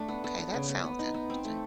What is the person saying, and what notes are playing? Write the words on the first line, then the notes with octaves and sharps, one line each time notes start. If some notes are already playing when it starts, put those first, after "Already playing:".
Okay, that sounds interesting.
Already playing: A3 D4
B3
B3
B3
C#3
B3
B3
D#4
B3
C4
A3